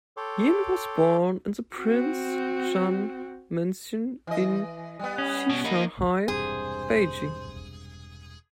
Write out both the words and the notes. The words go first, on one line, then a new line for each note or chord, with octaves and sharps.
Jin was born in the Prince Chun Mansion in Shichahai, Beijing.
A4 C#5 G5 C6 D6
C4 F#4
E3 D#5
G3 B3
C#4
B2
A#3 D#4
E1 G2 C3 G#4 C5